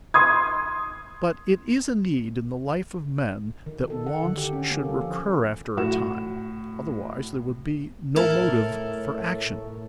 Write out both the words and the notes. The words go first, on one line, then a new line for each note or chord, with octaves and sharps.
But it is a need in the life of men that wants should recur after a time, otherwise there would be no motive for action.
C6 D#6 G#6
D#3
A4
F#5
D3
G4
C#4
A#3
A4
F3
A2 F#4 E7
A2 E4 A4 A#4